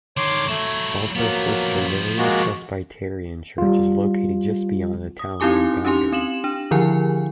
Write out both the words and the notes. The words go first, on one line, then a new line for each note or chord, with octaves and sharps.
Also First Dromara Presbyterian Church is located just beyond the townland boundary.
D3 D#3 C#5 C6 D6
F#3 A3 E4
F3 F#3 A#3 B3
G#3 A#3 F#4
G3 F4
D#6
C4 D#4 E4 G4 G#5 D6
C#4 D#4 G4 G#5 C6
C4 E7 F#7
D4
D3 D#3 F3 E4 G#5